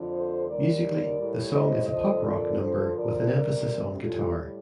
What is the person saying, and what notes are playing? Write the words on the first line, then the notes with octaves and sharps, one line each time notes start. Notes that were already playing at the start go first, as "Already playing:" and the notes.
Musically, the song is a pop-rock number with an emphasis on guitar.
Already playing: F2 D3 F3
A4 C5
D#2 D#3 G3 A#4 D5
A2 G3
C5 D#5
F2 D3 F3 C5 D#5
A#4 D5
D2 D3 F3 A4 C5
A#4 D5
D2 C3 G3
A2 G3 F4 A4